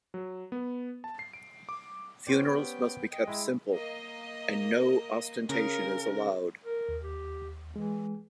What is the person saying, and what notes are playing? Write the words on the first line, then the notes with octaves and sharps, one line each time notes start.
Funerals must be kept simple, and no ostentation is allowed.
F#3
B3
A5
C7
D7
D6
B3 C#4 G4 C5 D5 G5
D#5 G5
G#3 E4
A#3 D#5
C#3 A#4
A#4
D#2
G4
E3 G#3